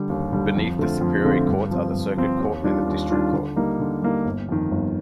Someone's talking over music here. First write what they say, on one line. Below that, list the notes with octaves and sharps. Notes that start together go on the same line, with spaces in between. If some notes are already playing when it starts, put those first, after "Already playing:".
Beneath the superior courts are the Circuit Court and the District Court.
Already playing: D3 G3
D#2
D3 G3
F2
D3 A3 C4 F4
F2
D3 A3 C4 F4
G2
F3 C4
G2
F3 C4
D#2
D#3 G3 D4 F4
D#2
D#3 G3 D4 F4
D3
G3 A#3 D#4
D3
G3 A#3 D#4
G1
F2 D#3
G1